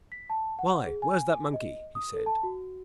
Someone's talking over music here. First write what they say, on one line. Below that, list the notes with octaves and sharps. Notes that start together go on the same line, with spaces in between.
"Why, where's that monkey?" he said.
B6
A5
F#5
G#4
G#5
D#5
D#6
A4
A5
F#4